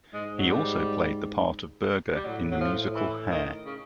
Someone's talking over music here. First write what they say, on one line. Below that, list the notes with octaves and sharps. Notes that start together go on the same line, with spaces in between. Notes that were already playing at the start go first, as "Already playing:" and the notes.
He also played the part of Berger in the musical "Hair".
G#2 G#3
F#3
G3
G3
A2 F#3
F#3
F3
E3
D#3
C#3